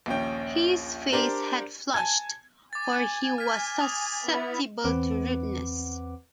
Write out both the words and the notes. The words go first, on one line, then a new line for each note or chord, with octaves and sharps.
His face had flushed, for he was susceptible to rudeness.
A#1 D#2 C#4 G5
D4 G4 A#4 C5 D5
G#5 A5 G#6
G#5 D6 A6
F6 B6
D#6 F7
B3 E4
E2 C4 B4 F#5 D6